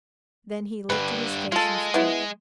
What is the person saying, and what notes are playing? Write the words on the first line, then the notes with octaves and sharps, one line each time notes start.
Then he lifted his face and spoke.
G2 D3 G3 B4
G#3 F4 A4
B3 E4